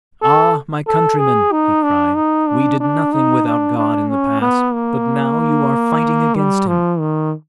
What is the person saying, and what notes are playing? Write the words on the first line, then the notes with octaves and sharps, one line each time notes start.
'Ah, my countrymen,' he cried, 'we did nothing without God in the past, but now you are fighting against Him.
A4
A4
G#4
D#4
D4
D#4
D4
D4
D#4
D4
D4
C#4
B3
A#3
G3
F3
D#3